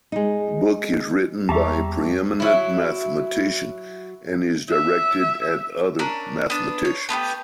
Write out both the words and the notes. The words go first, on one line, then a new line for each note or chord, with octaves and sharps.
The book is written by a pre-eminent mathematician, and is directed at other mathematicians.
G#3 D#4
E2 G3 G4 E5 A5 A#5 C#6
F#3 E4
E5
C#4 D4 A#4
B3 D4
C#5
A3 B3 D4 G4